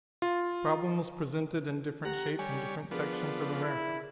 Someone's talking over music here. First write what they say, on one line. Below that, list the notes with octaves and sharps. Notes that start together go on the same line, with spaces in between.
The problem was presented in different shape in different sections of America.
F4
G4 F#5 A#5
G3 C#5 G#5
F3 B3 D4 G#4 A#4
E4